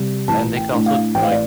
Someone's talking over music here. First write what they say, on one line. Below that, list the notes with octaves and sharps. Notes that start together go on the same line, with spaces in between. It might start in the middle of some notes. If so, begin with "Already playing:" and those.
then they could also d like
Already playing: C3 G3
A1 A5
G5
A2 A3 D4
F5
A1 G5
F5
D5